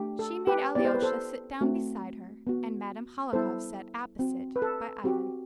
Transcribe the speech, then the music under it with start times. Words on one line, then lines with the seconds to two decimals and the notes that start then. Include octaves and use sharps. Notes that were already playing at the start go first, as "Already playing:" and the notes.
She made Alyosha sit down beside her, and Madame Hohlakov sat opposite, by Ivan.
Already playing: A3 D4 G4
0.19 A4
0.47 G4 B4
0.75 B3 E4 G4 D5
0.85 C5
0.94 B4
1.02 A4 C5
1.61 A3 C4 F#4
2.47 B3 F#4
3.33 G3 B3 E4 A4 C5
4.19 C4 F#4
4.56 B4
4.62 A4
5.04 C4 F#4 G4